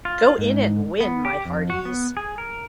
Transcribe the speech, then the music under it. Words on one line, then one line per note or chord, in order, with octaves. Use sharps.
Go in and win, my hearties!
F4
G#2
B3
G4
F2
F#4
B3
G#4
A#4